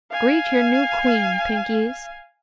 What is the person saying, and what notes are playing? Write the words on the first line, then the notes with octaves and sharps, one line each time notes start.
"Greet your new Queen, Pinkies!"
F5 G#5